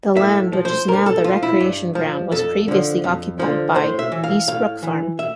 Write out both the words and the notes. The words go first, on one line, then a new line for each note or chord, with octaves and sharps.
The land which is now the recreation ground was previously occupied by Eastbrook Farm.
A2 E5
F3
C5
G2 A#4
A4
F3 F4
E4
G2
F3
F2 A4
D3 F3
F2
D3 F3
A2 C5
E5
E3
F5
A2 F5
E3
E5